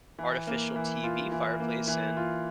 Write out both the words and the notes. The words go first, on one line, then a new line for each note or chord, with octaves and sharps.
artificial, TV fireplace and
E3
A#3
E3
F4
E3
A#3
E3
F4